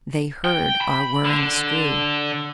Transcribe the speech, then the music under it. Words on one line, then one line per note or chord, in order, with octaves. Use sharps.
They heard our whirring screw.
G5
B5
D3